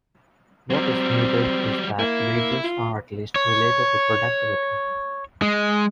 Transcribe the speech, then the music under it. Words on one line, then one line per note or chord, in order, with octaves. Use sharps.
What is needed is that wages are at least related to productivity.
F#3 G3 C4
A#3 E4
F4
C#5
G#3